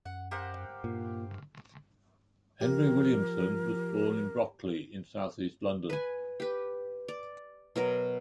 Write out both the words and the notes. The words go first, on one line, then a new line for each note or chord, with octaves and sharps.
Henry Williamson was born in Brockley in south east London.
F#2 F#5
G4 A#4 C5 F5 F#5
G2 A#2
F3 G4 A#4
B4 G#5
G4 B4
D5
B2 F#3 A#4